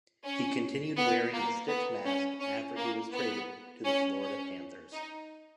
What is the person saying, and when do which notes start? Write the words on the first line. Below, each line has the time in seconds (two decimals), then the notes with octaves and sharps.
He continued wearing the stitch mask after he was traded to the Florida Panthers.
0.24 C#4
0.97 B3
1.33 A#3
1.69 B3
2.05 C#4
2.40 C#4
2.77 A#3
3.13 B3
3.85 C#4
4.21 C#4
4.93 D#4